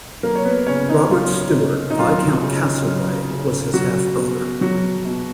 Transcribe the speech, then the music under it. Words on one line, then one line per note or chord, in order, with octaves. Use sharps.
Robert Stewart, Viscount Castlereagh, was his half-brother.
F#3 A#3 A#4
C#5
B3 B4
C#3 C#4 C#5
D#4
F#3 F4
C#3
D#4
F#3 F4
C#3
F#3
C#3
F#3 F#4
B2
F#3 F#4
B2